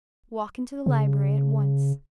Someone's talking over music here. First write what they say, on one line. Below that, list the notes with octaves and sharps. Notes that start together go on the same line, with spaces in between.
"Walk into the library at once."
C#3